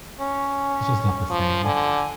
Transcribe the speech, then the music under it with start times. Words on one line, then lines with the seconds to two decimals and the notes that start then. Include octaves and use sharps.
It's just not the same.
0.20 C#4
1.30 F3
1.65 D3 G#5